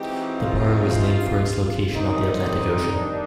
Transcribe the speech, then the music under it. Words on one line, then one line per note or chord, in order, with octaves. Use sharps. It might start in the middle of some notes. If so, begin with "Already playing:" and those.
The borough was named for its location on the Atlantic Ocean.
Already playing: E3 G#3 C4 D#4 F#4 G4
F4
D#3 G3 A#3 C4 D#4
C4
D4